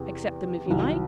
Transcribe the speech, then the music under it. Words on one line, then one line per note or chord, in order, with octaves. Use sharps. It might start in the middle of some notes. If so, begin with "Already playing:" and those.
Accept them if you like.
Already playing: E2 C3
C2 C3 D#3 F#3